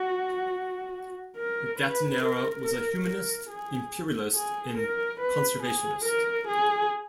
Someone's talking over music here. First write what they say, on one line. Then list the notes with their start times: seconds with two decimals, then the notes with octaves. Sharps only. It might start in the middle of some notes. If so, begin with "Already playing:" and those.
Gattinara was a humanist, imperialist, and conservationist.
Already playing: F#4
1.37 A#4
1.80 B4
2.23 A#4
2.65 A#4
3.07 A#4
3.50 G#4
4.35 G#4
4.78 A#4
5.20 B4
5.63 G#4
6.05 A#4
6.48 G#4